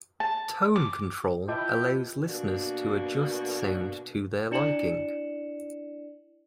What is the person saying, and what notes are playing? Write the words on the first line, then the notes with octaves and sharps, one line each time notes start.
Tone control allows listeners to adjust sound to their liking.
A5
D6
E4 F4 B4 D#5 G5 A5 D6
B2 A#3 D4 F#4
D4 E4 D5 C#7 E7 F#7